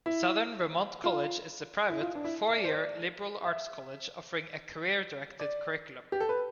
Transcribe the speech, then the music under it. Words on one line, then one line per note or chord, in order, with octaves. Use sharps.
Southern Vermont College is a private, four-year, liberal arts college offering a career-directed curriculum.
E4
F4
E4
F4
D4
E4
E5
D5
C5
D5
E5
D5
G4
A4
B4